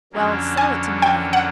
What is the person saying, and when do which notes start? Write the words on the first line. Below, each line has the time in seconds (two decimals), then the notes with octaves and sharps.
"Well, sell it to me, then."
0.13 F2 D3 F#3 A#3 C#4
0.57 G#5
1.02 G5
1.33 F#5